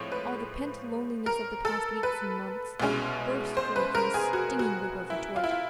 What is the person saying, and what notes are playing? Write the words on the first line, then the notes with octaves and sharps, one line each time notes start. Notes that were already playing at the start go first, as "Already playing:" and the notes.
All the pent loneliness of the past weeks and months burst forth in a stinging whip of retort.
Already playing: A2 F3 G#3 C4 C#5
B4
A#4
A4
B4
C2 B2 G#3 C#4
C5
B4
A#4
G#4
F#4
F#4
E4
F4
E4
F4